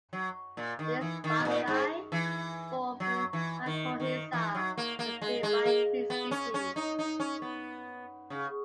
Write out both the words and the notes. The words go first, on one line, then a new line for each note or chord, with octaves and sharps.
These fungi form a mycorrhiza with nearby tree species.
F#3
A#2
D#3
E3
D#3
B2
A#2
G#2
E3
F#3
E3
D#3
D#3
E3
F#3
A#3
A#3
G#3
G#3
A#3
B3
C#4
C#4
D#4
D#4
C#4
B3
C#3